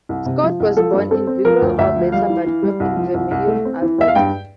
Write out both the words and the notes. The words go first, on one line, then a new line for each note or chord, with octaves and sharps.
Scott was born in Vegreville, Alberta, but grew up in Vermilion, Alberta.
C2
C3
F3
C2
F3 A4
G2
C4 A4
C4
F3 A#4
D2
D2 E5
F3
G3 F5
E3
E3
G3
C2
F3
C2
C2
A3
C4
E3
E2 E5
F5
G2 G5